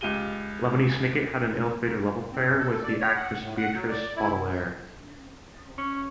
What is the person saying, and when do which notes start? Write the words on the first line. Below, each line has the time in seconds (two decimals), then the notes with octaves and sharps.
Lemony Snicket had an ill-fated love affair with the actress Beatrice Baudelaire.
0.01 C#2 F4 G4 D#7 G7
2.32 C4
2.47 G2
2.59 A4
2.83 D5
3.00 C#5
3.15 F#5
3.43 A2
3.58 F#5
3.74 F#3
3.89 D5
4.16 E4
5.78 C#4 C#6